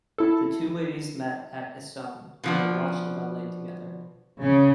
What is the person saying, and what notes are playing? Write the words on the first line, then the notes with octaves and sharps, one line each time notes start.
The two ladies met at Essone where they watched a ballet together.
E4 A4
B2 F3 D4
C#3